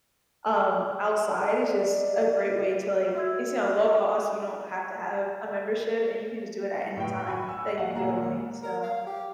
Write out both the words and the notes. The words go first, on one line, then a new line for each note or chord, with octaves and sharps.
um, outside is just a great way to, like it's, you know, low-cost, you don't have to have a membership, and you can just do it at any time that you feel like, so,
D5 D#5
F#4 E5 E6 G#6
A2 B4 G5
F#4 G#5 B5 C#6
E6
A#1 F5 F#5
A#2 A#3 G4 G#5 A#5
G#1
A#4
F5
G4